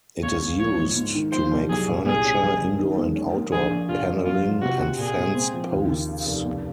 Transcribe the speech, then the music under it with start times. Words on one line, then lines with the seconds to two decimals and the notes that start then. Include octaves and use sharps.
It is used to make furniture, indoor and outdoor panelling, and fence posts.
0.23 C#2 C#5
0.41 G#3
0.59 F3 C#5
0.78 G#2
0.96 G#2
1.15 D#3
1.32 F3 C5
1.51 C2
1.69 F#3 G#4
1.87 A#2
2.05 C2 G#4
2.24 C#4
2.43 F#1
2.61 F#1
2.80 D#3
2.98 G#3
3.15 C#4
3.34 A#3
3.52 A#1 G#4
3.71 A#1
3.89 F1 F4
4.08 F1
4.25 F#2 F4
4.44 F4
4.61 C3 F#4
4.80 C3
4.98 A#2 G#4
5.17 G#3
5.35 C4
5.54 F3
5.72 D#2
5.90 D#2
6.09 C#3
6.26 F1
6.45 C#2